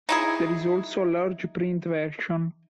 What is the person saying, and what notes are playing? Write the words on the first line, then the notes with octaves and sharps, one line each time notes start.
There is also a large print version.
D#4 E4 G#4